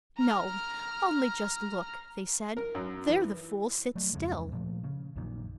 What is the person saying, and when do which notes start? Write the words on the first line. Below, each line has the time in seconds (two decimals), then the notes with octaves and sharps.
"No! only just look," they said; "there the fool sits still."
0.18 A#5 F6
2.57 A#4
2.75 F#2
3.07 E3
3.95 F#3 A3
4.13 D1 F2 C#3 G#3
4.52 A#2 F3 A3
4.84 C#3
5.16 A#1 F#2 A#2 D#3